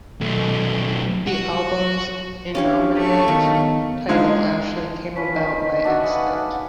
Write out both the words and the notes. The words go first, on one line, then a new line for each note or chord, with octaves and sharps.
The album's innominate title actually came about by accident.
B1 A3
F#4
C#4 D4 G4 C#5 F5
A3 C#6
D#3 B3 F5
D3 G#3 D#4 F4
F3 C#4 B4 B6
D#3
D4 F#4 E5 F#5
G#4 B4 F5